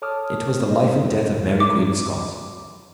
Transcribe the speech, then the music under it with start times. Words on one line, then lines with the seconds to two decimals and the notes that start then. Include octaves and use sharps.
It was the life and death of Mary Queen of Scots.
0.02 A4 C#5 A5 D6 D#6 F6
0.68 B3 C5 D#5
1.60 D6